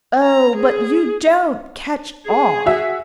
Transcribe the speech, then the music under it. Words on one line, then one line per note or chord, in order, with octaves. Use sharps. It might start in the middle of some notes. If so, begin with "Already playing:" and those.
'Oh, but you don't catch on.
A#5
G#4
G#4
F#4 E5